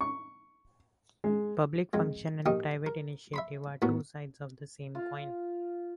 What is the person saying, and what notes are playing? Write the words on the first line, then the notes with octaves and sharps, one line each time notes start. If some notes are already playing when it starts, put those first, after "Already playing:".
Public function and private initiative are two sides of the same coin.
C#6
G#3
F2 G#3
A#1 D#3 D#4 G4
A#4
E5 B5 C6
A2 B3 F#4 A#4
F4